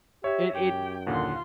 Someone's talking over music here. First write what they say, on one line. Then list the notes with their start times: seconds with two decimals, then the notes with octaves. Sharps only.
It it,
0.24 G4 C#5 E5 G#6
0.54 F#2 G4 G5
1.07 D#2 A#2 D3 F4 F#5 C6